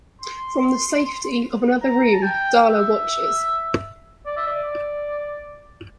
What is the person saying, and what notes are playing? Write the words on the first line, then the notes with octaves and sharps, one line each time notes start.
From the safety of another room, Darla watches.
C6
A#5
A5
G5
E5
D5
E5
D5